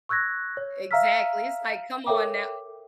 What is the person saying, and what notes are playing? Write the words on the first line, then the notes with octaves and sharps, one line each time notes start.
Exactly, it's like, "Come on now"
C#6 E6 F#6 G#6 A#6
C#5
E5 F5 A#5 E6 F6 B6
A4 A#4 C#5 E5 G5 D6